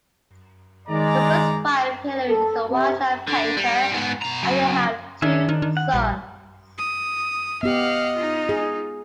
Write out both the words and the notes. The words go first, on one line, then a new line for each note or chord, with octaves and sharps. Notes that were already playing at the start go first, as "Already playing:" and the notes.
Soper's wife Hilary is a wildlife painter, and they have two sons.
D#3 G#3 D5 A#5
A4
C3
D3
G3
G#2 B3
B2 A#5
C#3 F#3
D#3 D4 G#4 E5
D#3 D4
D#3
F#5
A#1 G3
D#6
B3 G4 D#5 F5 F#5
D#4 F4
G#4